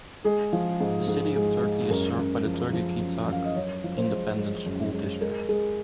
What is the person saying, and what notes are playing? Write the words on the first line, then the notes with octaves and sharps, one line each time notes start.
The City of Turkey is served by the Turkey-Quitaque Independent School District.
G#3 G#4
F3
G#2
G#2
G#3
G#3
F#2 A#4
F#2
F3
F3
F#2
F#2 F5
D#5
F#2 C#5
F3
C5
G#3
G#3
F#2
G#3
G#3 A#4
G#3 G#4